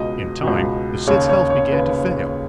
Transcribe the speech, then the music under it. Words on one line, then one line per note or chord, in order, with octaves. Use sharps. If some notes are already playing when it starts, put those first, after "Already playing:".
In time the Cid's health began to fail.
Already playing: C#2 B2 D#5
C#2 B2
D#2 C#3 C#5
C#5
C#5
D#2 C#3 B4